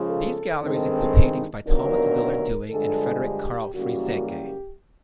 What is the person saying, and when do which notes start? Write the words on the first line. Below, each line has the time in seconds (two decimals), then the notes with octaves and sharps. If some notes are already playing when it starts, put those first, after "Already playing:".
These galleries include paintings by Thomas Wilmer Dewing and Frederick Carl Frieseke.
Already playing: C#3 F3 G#3
0.10 A4
0.62 G2 D#3 G#3 C4 D#4
1.66 D#2 D3 F#3 B3 D4 A#4
2.71 G2 D3 F3 G#3 A4
3.22 G4
3.74 F#2 C#3 E3 G3 A#3 F#4
4.26 G4